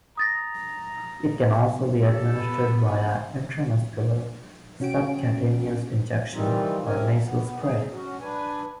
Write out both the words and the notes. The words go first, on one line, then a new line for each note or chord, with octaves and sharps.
It can also be administered via intramuscular, subcutaneous injection, or nasal spray.
A#5 D#6 A6 A#6
G4 A4 E5
B3 B4
C3 C#4 F#4 G5 D7
D#3 E3 G3 C4 D#4 F4
G#2 C3 C4 C#4 A#4 G#5
B3
D#4 G#4
C#4 F#4
D4 B4 G#5